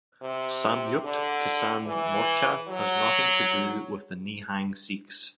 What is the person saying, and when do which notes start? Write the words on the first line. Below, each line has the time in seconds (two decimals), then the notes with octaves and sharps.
Samyukt Kisan Morcha has nothing to do with the Nihang Sikhs.
0.22 C3
1.04 D3
1.86 E3
2.68 F#3